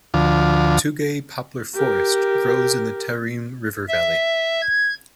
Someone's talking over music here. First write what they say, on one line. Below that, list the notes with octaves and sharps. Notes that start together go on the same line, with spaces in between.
Tugay poplar forest grows in the Tarim River valley.
D2 F3
G4 A#4
E5
G#6